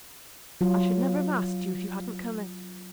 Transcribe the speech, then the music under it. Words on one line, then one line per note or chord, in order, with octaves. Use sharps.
'I should never have asked you, if you hadn't come in.
F#3 F4